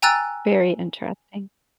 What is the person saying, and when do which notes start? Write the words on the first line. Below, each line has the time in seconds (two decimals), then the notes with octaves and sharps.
Very interrupting.
0.02 G5 G#5 A#5 E6 F#6 A6